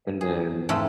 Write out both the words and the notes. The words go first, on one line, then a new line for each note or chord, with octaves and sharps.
And then
G#4
F2 G#2 C3 A3 A4